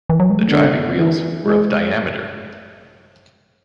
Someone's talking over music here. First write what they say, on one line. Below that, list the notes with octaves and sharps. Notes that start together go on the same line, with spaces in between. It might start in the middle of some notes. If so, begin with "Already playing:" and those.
The driving wheels were of diameter.
E3
F#3
G#3
A3
D3 B3
E3
G#3